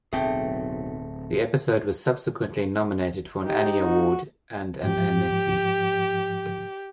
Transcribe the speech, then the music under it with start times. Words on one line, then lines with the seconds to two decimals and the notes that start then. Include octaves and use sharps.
The episode was subsequently nominated for an Annie Award and at Annecy.
0.13 D1 B1 A3 C4 G#4 G5
3.45 D#4 G4
3.83 F#4
4.83 G#2 F3 G4